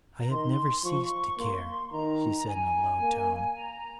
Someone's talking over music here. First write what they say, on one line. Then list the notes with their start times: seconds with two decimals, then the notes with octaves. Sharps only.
"I have never ceased to care," she said in a low tone.
0.19 A#5
0.30 D#3 C6
0.84 F3 C#6
1.38 A#3 C6
1.88 C6
1.92 D#3 A#5
2.47 G#5
3.01 A#3
3.55 A#5